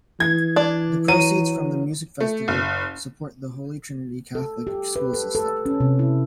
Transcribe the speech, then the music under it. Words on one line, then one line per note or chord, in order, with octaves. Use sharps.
The proceeds from the music festival support the Holy Trinity Catholic school system.
E3 G#6
D4 D5
F#3 D#7
A3
F#1
A4
G4
B4
A4
A4
C#4
C3
E4